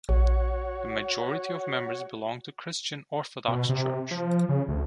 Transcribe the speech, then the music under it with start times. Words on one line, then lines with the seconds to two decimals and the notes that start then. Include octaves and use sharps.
The majority of members belong to the Christian Orthodox Church.
0.09 A#1 F#4 C#5
3.48 B2
3.69 C3
4.11 F3
4.49 C#3
4.68 D2